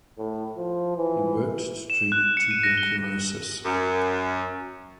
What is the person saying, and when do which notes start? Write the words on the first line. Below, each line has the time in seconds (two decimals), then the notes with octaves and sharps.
He worked to treat tuberculosis.
0.18 A2
0.56 F3
0.96 E3
1.90 E7
2.12 F#6
2.37 C#7
2.51 D#7
2.63 A#6
2.77 G7
3.65 F#2